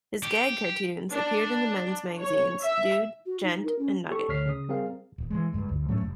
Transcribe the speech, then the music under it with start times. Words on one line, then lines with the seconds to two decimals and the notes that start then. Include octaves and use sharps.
His gag cartoons appeared in the men's magazines "Dude", "Gent" and "Nugget".
0.23 G4
1.12 D4
2.19 C#5
2.62 E5
3.26 F#4
3.43 D#4
3.65 A#4
3.79 C#4
4.10 G4 A4 C#6
4.29 D2 D3 C#5 F6 B6 C7
4.46 C#3 D#6
4.69 G3 C4 G#4 A#4 F5
5.18 D#1
5.30 E3 G#3
5.53 F#1 G2 G#3
5.69 D2
5.89 A2 F#3 A3 C#4
6.01 F1